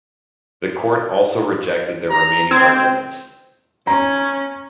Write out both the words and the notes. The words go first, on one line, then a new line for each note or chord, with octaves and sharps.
The court also rejected their remaining arguments.
A#5
C4 G#6
C#4 A#5